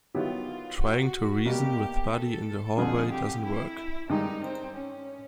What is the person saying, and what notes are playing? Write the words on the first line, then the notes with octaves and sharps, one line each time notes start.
Trying to reason with Buddy in the hallway doesn't work.
D#3 F#3 B3 E4 F4 G4
F#4
B2 G3 A#3 G4
A4
F2 D3 F3 G#4
G4
E4
G2 D#3 G#3 D#4
C4
C#4